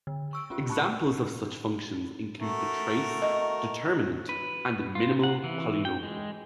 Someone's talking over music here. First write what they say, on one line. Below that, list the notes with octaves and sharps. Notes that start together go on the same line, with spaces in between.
Examples of such functions include the trace, determinant, and the minimal polynomial.
D3
C#6 E6 D7
C#4 F4 G4
A5 B5 C#6 F#6 C#7
A3 F#4 A#4
D#5
B4
F4
F#5
E3
G5
G#3